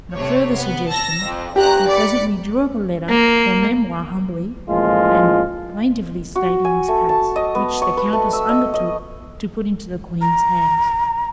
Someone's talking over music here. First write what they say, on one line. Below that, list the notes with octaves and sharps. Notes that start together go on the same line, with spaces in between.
On a further suggestion, he presently drew up a letter or memoir humbly and plaintively stating his case, which the countess undertook to put into the Queen's hands.
C3 A3 C#5
B3
A5 E6 A#6
F2
G1 G4 A#5 F#6
D5 B5 C#7
A#3
A1 F3 G#3 A#3 F4
F#4
G#5
A3
A5
D#5
B3
C#6
B4
A3
E6
D#5
D#5
A#5